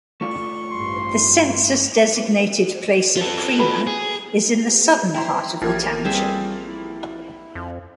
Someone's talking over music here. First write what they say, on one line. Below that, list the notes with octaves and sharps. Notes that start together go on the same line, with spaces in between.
The census-designated place of Kreamer is in the southern part of the township.
A3 F4 D5 C#6
A1 G2 C6
F4 A4
F#4 B4 B5
G#4
E4 G5 A#5 C6
A1 F3 A#3 G4 G#6
G3 C4 G#4 E5
E4
F2